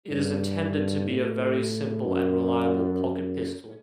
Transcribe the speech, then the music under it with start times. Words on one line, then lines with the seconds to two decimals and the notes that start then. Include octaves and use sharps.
It is intended to be a very simple and reliable pocket pistol.
0.11 G2
1.09 A2
2.06 F#2
3.04 F#2